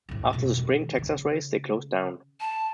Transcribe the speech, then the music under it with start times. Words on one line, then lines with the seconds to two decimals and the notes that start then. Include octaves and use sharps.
After the spring Texas race, they closed down.
0.09 D2 A2
0.33 F2 B2
0.53 D#3 G#3
0.98 C#3
2.41 A5